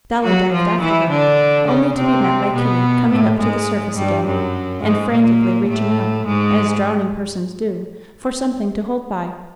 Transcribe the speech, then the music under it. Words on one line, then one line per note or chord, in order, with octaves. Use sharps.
Dolly dived after her, only to be met by Kitty coming up to the surface again, and frantically reaching out, as drowning persons do, for something to hold by.
F#3 F#4
F3 F4
E3 E4
D3 D4
C#3 C#4
C3 C4
B2 B3
A2 A3
G#2 G#3
G2 G3
F#2 F#3
G#2 G#3
A#2 A#3
A2 A3
G#2 G#3